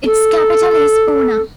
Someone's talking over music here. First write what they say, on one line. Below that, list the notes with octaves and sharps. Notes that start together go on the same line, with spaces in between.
Its capital is Puna.
A4